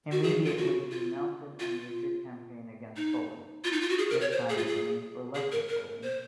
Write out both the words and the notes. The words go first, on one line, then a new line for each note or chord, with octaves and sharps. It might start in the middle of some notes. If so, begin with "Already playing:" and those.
Immediately he mounted a major campaign against Poland, this time aiming for Lesser Poland.
F#4
G#4
F4
F#4
F4
F4
D#4
F4
D#4
F4
F#4
G#4
A#4
C#5
C5
G#4
F4
G#4
G#4
A#4
A#4
C5